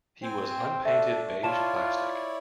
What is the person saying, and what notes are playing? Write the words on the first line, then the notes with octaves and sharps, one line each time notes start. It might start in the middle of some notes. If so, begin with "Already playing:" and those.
He was unpainted beige plastic.
C4 G5 G#5
A3 D4 E5
E4 F4 C#5 D5 A5 E7